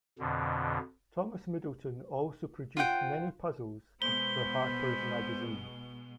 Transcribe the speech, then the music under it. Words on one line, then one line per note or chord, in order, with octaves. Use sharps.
Thomas Middleton also produced many puzzles for "Harpers Magazine".
F2 B2 D3
F4 C5 F#5 G5
B2 G#3 C5 B5 G7